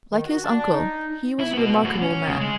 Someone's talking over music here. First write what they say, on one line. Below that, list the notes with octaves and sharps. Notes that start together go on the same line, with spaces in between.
Like his uncle, he was a remarkable man.
D#3
F#4
D4
D#4
E4
B3 F#4
A2 F#4
C#4
C#3
G#3